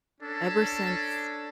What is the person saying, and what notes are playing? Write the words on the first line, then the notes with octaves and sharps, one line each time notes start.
ever since
C#4 D4 A4